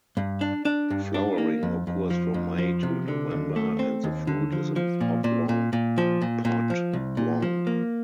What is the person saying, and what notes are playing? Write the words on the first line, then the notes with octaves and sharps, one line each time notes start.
Flowering occurs from May to November and the fruit is an oblong pod long.
G2
D4
D4
G2
D4
A#3
F2
F2
F3
F2
F3
C3
D3
D#2
A3
C4
D#2
D3
F3
F3
A#2
A#2
A#2
A#2
F3
A#2
A#2
F3
C2
A#2
F3
A#3